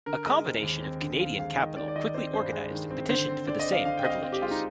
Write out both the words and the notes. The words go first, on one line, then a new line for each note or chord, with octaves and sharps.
A combination of Canadian capital quickly organized and petitioned for the same privileges.
D3 A#4
G#3 D#5
C4
D#2
C4
D3
C4 F5
G#3 F5
D#3 D#5
D#3 D5
D5
D#3 D#5
C4 C5
G2 C5
G#3
D#3
C4
D3 C5
C4
D3 D5
D#5
C4
F5
D3 F5
G5
C4 D#5
F5
C4 F5
G4
G#3 F4
D#4